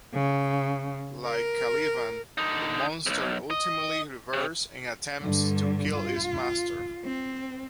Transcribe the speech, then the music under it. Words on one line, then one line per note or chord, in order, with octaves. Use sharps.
Like Caliban, the monster ultimately rebels and attempts to kill its master.
C#3
A#4
D3 D#4
B1 F2
D#5
C3
G2 D3
F4
C4